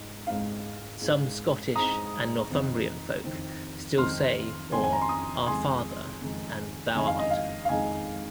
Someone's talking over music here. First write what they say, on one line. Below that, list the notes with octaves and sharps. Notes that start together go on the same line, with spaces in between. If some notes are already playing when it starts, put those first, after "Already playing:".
Some Scottish and Northumbrian folk still say or "our father" and "thou art".
Already playing: G#2 G#3 D#4
G#2 G#3 C4 D#4 F5
G#2 G#3 C4 D#4
G#2 G#3 C4 D#4 A#5 D#6
F2 D#3 C4 D#4
F2 D#3 C4 D#4
F2 D#3 C4 D#4 C6 F6
F2 D#3 C4 D#4 G#5 C6
G#5
A#5
C6
A#5 D#6
F2 D#3 G#3 D#4 G#5 C6
F2 D#3 G#3 D#4
F2 D#3 G#3 D#4 G#5
F5
D#5
F5
F5
F2 D#3 G#3 D#4 D#5 G#5